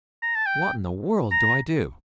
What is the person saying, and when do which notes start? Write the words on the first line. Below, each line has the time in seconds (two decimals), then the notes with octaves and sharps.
What in the world do I do?
0.22 A#5
0.35 A5
0.46 G5
1.31 A#5